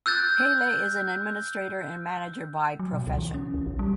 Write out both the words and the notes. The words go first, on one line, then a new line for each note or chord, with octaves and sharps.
Pele is an administrator and manager by profession.
E6 F#6 G6 A6
F#3
B2
C#2
E3
C#4
D2
A#1
G3